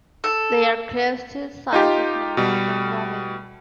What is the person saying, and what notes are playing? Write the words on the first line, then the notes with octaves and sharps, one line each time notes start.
They are close to the size of an American robin.
A4
D#4 F4 G4
B2 G3